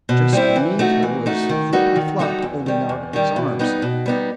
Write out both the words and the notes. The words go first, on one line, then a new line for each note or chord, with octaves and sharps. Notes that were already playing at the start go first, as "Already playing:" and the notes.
Just beneath her was Flippityflop, holding out his arms.
B2
G3 C4 E4
E3
A3 D#4 F#4
E3
A3 D#4 F#4
D#3
G3 D#4 F#4 A4
D#3
G3 D#4 F#4 A4
E2
D#3 G3
E2
D#3 G3
B2
G3 B3 D#4
B2
G3 B3 D#4